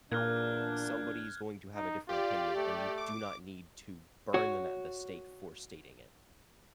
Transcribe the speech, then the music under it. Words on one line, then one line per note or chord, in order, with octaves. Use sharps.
somebody's going to have a different opinion, and you do not need to burn them at the stake for stating it.
E2 A#2 A#3 D4 F6 F#6 G#6
D#4
F4 G4 D5
A3
D6
F#4 C#5